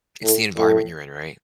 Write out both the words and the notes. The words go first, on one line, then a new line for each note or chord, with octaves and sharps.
It's the environment you're in, right?
A2
A2